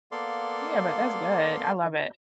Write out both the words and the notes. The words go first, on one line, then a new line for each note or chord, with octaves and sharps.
Yeah, but that's good, I love it.
A#3 B3 A4 D5 F5 C6